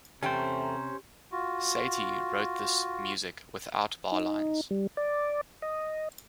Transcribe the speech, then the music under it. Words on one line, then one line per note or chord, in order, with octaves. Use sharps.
Satie wrote this music without bar-lines.
E2 C3 A3 C#4 G4 C5 G5 A#5
F4 F#4
D#4
G3
D5
D#5